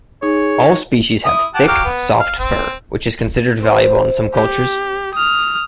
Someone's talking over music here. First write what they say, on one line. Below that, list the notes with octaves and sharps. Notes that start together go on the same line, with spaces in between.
All species have thick, soft fur, which is considered valuable in some cultures.
D#4 G#4 C#5
E4 D#6
G4 F#5 A5
F#3 G4 F5
B3
F5
C4
C4 E4 C5
G4
D#6 F6